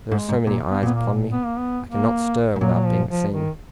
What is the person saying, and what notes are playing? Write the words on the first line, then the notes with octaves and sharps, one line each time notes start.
"There are so many eyes upon me, I cannot stir without being seen."
G#2 G#3
G#2
A#2
B3
A#2 B3
A#3
B3
A#3
B3
A#3
G#2
A#2 F#3
F#3
F3
F3
D#3